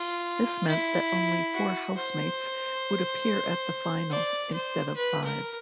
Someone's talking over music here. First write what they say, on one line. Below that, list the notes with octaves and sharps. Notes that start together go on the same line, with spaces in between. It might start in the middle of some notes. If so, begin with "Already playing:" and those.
This meant that only four Housemates would appear at the final, instead of five.
Already playing: F4
E4
F#4
C5
D5
C5
B4
A#4